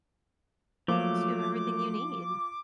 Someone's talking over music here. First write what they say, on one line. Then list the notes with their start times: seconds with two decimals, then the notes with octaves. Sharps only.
So you have everything you need.
0.88 F3 F#3 A3 A#3 F4 D6